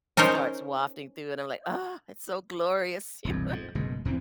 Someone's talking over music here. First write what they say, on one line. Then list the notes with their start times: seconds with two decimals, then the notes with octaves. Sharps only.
starts wafting through and I'm like, "Oh, it's so glorious." You know?
0.17 C#4 D#4 A#4 C5 C#5
3.25 E1 C2 F#2
3.48 F2 G#2
3.75 F#1 B2 G#3
4.05 E2 E3 C4